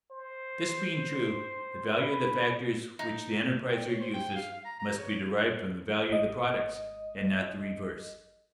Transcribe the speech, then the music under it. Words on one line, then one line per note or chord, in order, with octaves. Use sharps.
This being true, the value of the factors which the enterpriser uses must be derived from the value of the products, and not the reverse.
C5
B5
D#4
G5
C#5
C5
G5
F5
F5
A#5
A#5
C#5
G#1 D#5